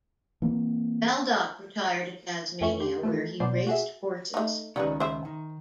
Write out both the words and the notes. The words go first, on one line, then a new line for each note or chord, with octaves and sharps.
Baldock retired to Tasmania where he raced horses.
E3 A#3 C4
F2 A3 C#4 E5 C#6
G4 C6
E3 F3 A3
B2 F#3 C5 D5 C6 G6
F#4 G#4 E5
A3 D#4
C#2 D#3 G3 C#4 B4
C5 E5
D#3